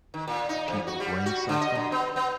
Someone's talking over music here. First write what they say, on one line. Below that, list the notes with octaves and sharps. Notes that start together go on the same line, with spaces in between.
people bring something
D#3
A#2
D#4
E2
F#4
G3
F#4
D3
D#5
F#2
B3
B3